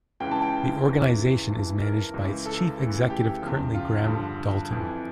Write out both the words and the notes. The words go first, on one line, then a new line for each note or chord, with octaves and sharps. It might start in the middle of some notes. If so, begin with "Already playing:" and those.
The organisation is managed by its chief executive, currently Graham Dalton.
C#2 C#3 E3 G5
A5
G5
E2 C#3 E3
G2 E3
A#4
C#2 C#3 E3
A4
D2 C#3 E3
G4
E2 C#3 F3
F4
G2 D3 F3
F2 E3